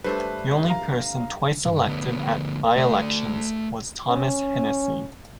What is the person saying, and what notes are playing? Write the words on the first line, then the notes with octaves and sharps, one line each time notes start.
The only person twice elected at by-elections was Thomas Hennessy.
G2 A3 D4 B4 C5
F5 A#5
B1 G2
D2 B3
A3 D5
C#4